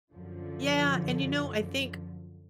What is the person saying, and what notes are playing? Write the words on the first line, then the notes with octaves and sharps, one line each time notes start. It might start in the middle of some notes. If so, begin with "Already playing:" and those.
Yeah, and, you know, I think,
F#2 D3 F3